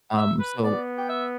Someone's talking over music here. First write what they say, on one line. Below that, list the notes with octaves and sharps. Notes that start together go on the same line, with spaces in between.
um, so
E5
B4
B3 D5
G5
E5